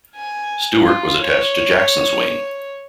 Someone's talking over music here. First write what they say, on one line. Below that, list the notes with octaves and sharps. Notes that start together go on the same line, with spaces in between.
Stuart was attached to Jackson's wing.
G#5
F4
C#5